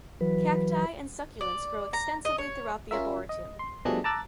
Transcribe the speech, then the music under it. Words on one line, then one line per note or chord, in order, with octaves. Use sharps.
Cacti and succulents grow extensively throughout the Arboretum.
E3 F#3 B4
D5
A#5
D#5
C#5
C#4 F4 A#4 E5
D#5
C6
B2 F3 G3 A3 D4 G#4
A5 A#5 D6 E6 F#6 A6